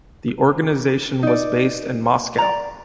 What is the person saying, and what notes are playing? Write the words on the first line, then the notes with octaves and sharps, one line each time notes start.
The organization was based in Moscow.
D#4 D5
D5 A#5